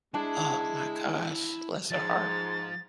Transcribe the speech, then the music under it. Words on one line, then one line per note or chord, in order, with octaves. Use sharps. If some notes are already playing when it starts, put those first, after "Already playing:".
Oh, my gosh, bless her heart.
G#3 D4 E4 A5
G#2 F3 A6